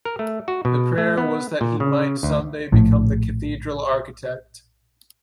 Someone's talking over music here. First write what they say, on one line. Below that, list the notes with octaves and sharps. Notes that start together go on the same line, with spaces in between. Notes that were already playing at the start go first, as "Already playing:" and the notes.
The prayer was that he might someday become the cathedral architect.
A#4
A3
F#4
B2
A3
B3
A#2
C#3
D2
A#1 A2